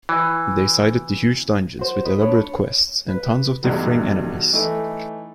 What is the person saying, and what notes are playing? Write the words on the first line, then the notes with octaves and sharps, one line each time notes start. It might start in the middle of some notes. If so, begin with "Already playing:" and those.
They cited the Huge dungeons with elaborate quests and tons of differing enemies.
E3
F#4 C5
B4 D#5
D4 C#5 B5
B4
B1 E2 G2 B2 F#3
E3 A3 D#4